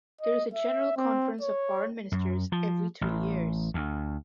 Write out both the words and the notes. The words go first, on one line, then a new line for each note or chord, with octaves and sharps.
There is a general Conference of Foreign Ministers every three years.
D#5
E5
C4
C#5
F#2
F3
A1
D2